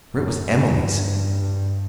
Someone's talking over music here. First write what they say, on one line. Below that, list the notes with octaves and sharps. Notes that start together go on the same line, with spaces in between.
For it was Emily's!
F#2
G2
G2
G2
G2